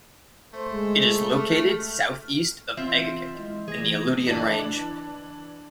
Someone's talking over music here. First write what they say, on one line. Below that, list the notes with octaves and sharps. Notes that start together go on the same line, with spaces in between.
It is located south-east of Egegik, in the Aleutian Range.
A3 C5
G#3
F6
E3 C4 F4 E5
G#3 E4 D#5
E3 A3 G#4 A#6
E3 D4